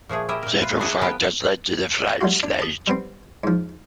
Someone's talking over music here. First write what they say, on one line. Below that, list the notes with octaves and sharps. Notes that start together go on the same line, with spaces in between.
Several factors led to the Frank Slide.
A#2 F3 A3 G#4
E4 G4 A#4 D#5 E5
A#2 A#4
F4 B4
D4 G#4 B4 E5 F#5 G#5
F3 B3 A#4 B4 G5
F#3 G3 A3 F4 F#4
D4
A5 D#6
G3 B3 C4
G#2 F3